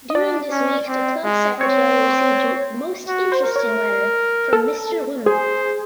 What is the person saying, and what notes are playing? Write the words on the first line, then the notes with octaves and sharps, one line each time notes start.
During this week the club secretary received most interesting letter from Mr Wm.
D#5
D4 D5
C#4
C4
G#3
C4 C#5
F#4
C5
A#4
C#5
A4
G#4 C5